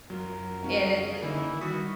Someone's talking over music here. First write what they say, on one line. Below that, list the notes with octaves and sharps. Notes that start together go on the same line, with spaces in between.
and it's uh
F#2 F#3 F4 A#4
F1 C#4 F#4 F5
C#3
D3 E3 A#3 C#4 D#4 E4
D#3
D#3 G3 F#4 D#6 B6